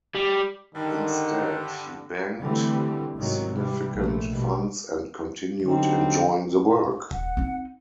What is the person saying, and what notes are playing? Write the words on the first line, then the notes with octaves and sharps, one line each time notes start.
Instead, he banked significant funds and continued enjoying the work.
G3
G2 D3 D#3
D3 E3 G3 A3 C4
G#1 G#2 C3 D#3 F#3 C4
C3 E3 G3
A#1 A3
A#1 B2 G3
D3 F#3 G3 B3 C4 D#4
D#1 F#5
C4 D#4